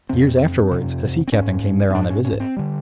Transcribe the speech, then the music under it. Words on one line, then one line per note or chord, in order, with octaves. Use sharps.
Years afterwards a Sea Captain came there on a visit.
F2 C3 C4
F2 C3
C4
G#2 C#4
C#4
G#2 D4
C#4
C#4
C4
D3 G3